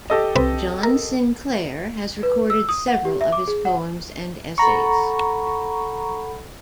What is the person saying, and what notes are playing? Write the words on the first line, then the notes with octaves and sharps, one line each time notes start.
John Sinclair has recorded several of his poems and essays.
G4 A4 D#5
C2 C4 B4
A#4
B4
E6
D#6
F#5
G4
E5
D6
G#4
F#5
A4 F#5 A#5 B5 C#6